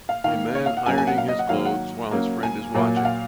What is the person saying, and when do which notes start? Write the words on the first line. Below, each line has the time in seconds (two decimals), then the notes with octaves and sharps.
A man ironing his clothes while his friend is watching.
0.09 F5
0.24 D#3 A#3 F5
0.55 C#5
0.66 F5
0.77 F#5
0.86 C#3 F#3 A#3 G#5
0.98 G#5
1.07 F#5
1.18 F5
1.28 D#5
1.39 F#5
1.49 D#3 F#3 A#3 F5
1.65 F#5
2.11 C#3 F#3 A#3
2.43 G#5
2.74 A#2 F#3 A#3
2.96 F#5
3.05 F5